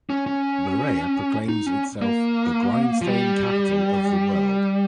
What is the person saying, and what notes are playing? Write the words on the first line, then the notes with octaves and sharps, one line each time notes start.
Berea proclaims itself "The Grindstone Capital of the World".
C#4
C#4
D#4
C#4
A#3
F3
G3